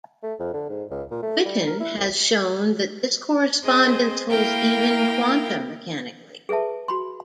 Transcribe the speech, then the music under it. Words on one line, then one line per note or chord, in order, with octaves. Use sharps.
Witten has shown that this correspondence holds even quantum mechanically.
A3
F2
D3
G#2
C#2
A#2
A3
G3
A#4
E4
C2
C4 G#4 C5 D#5
A#3 E4 A#4 F5 G5
G#4 A4 B4 E5 A5
F#4 B5 C6